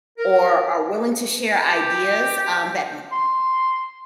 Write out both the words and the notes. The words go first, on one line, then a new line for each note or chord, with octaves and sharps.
or are willing to share ideas, um, that
A#4
G4
C6